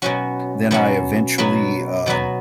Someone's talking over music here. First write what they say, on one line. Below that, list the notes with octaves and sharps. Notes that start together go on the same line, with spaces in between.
then I eventually, um,
B2 F#3 C#4 F#4
B2 F#3 C#4 F#4
B2 F#3 B3 F#4
B2 F#3 B3 F#4